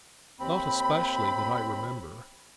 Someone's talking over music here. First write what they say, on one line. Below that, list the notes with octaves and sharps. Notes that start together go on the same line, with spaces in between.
"Not especially, that I remember."
D#2 C4 B5